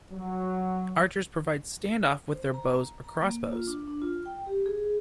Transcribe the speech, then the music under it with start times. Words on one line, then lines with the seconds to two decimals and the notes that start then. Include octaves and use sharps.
Archers provide standoff with their bows or crossbows.
0.12 F#3
2.34 C5
2.54 A#5
3.04 A#5
3.22 A#3
3.52 F4
3.67 D4
3.88 D4
4.02 F4
4.26 G5
4.46 G4
4.66 G#4